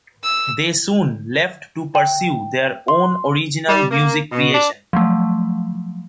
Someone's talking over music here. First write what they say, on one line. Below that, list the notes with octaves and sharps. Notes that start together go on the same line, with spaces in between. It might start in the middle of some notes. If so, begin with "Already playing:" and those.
They soon left to pursue their own original music creation.
E6
G5
C6
G3
A#3
B2
D4
F3 F#3 A3